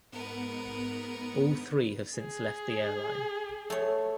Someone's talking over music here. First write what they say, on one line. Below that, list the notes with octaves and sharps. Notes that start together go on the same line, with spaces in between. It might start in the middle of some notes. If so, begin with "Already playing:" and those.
All three have since left the airline.
G#2 B3 A#4 B4 C#7
G#4
A3 C#5